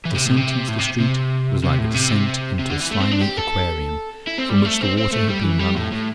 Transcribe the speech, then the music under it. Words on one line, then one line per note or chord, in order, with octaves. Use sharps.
His descent into the street was like the descent into a slimy aquarium from which the water had been run off.
E3
A2
C3
A2
C3
A2
C3
C3
C3
A2
C3
C3
D3
E3
A3
C4
D4
G4
A4
E4
C4
G3
A3
C4
C4
A3
G3
E3
G3
A2
A2